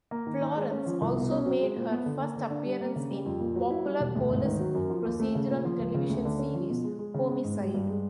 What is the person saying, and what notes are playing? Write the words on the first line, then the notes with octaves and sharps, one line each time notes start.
Florance also made her first appearance in popular police procedural television series "Homicide".
A#3
D#3
D#4
G#3
C#4
F3
C2
B2
C#4
F#3
G#3
A#2
B3
D3
A#3
D3
D4
G3
A#3
C#3
G3
F2
A#2
F#3
E4
G3
E1
D2
G#2
D#3
F#3
F#2
F3
D#2
A3
C#3
A#2
F3
C#2
C#3
D2
D3
C#4
F3
B2
G#3
G#3
C#3
G#3
G#2
G3
G2
G#3